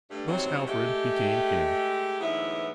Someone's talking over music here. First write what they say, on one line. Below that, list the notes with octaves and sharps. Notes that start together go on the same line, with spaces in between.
Thus Alfred became king.
G2 A3
D#2 C3 F#3 G3 C4 C#5
G#3 A3 G4
D2 G#2 E3 F#3 B3 E4